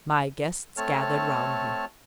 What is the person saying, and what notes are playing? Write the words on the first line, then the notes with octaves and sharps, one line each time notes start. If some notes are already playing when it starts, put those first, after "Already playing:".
My guests gathered round me.
A3 C4 A4 C#5 A5 F6